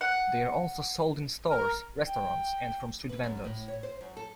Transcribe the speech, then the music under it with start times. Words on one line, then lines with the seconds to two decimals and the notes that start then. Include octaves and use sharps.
They are also sold in stores, restaurants, and from street vendors.
0.01 F#5
1.50 A#4
2.06 G5
3.09 B4
3.24 F#2
3.44 A2
3.68 C#5
3.83 C5
4.01 F#2
4.17 A4